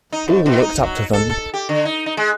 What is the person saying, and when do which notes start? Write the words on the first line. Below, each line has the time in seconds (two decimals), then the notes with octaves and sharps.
All looked up to them.
0.12 D#4
0.28 F2
0.46 B2
0.62 D#4
0.83 F#3
1.13 A4
1.30 A4
1.54 G4
1.69 D3
1.85 D#4
2.06 D#4
2.17 G#3